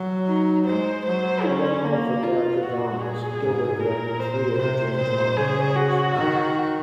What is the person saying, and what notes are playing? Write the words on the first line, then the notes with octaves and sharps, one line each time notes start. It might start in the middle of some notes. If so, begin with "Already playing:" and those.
Although known for character dramas, Gilbert directed three of the James Bond films.
Already playing: F#3
D#4
G#3 C5
F#3 C5
C#4
A#3
F4
A#2 F#4
G#4
G#2
A#2 A#4
C5
C3 C5
A#2 C5
C#3 G#4
F#4
D#3